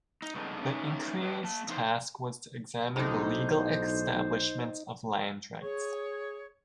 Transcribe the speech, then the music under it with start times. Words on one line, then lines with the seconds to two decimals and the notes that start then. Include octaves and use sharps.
The Inquiry's task was to examine the legal establishment of land rights.
0.22 D#4
0.35 G2 C#3 B3 D#4 A4 D#5
0.62 A3 C#4 D#4
1.22 G4 B4 C#5 D#5 G5 A5
1.43 A#3 A5
1.68 E2 D#4 E4 C5
2.96 B1 A2 D3 D#4 C5
5.63 G#4 C#5